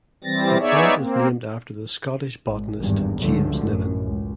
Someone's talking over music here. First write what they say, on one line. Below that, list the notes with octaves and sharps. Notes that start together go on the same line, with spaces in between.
The plant is named after the Scottish botanist James Niven.
E3 G3 C4 A6 A#6
B3 D#4 G#4 C#5 D5 E5
A#3 C4
G#1
G#1 E2 G2
C#2 G2 D3 F3 F#3 A3
A1 F#2
C#2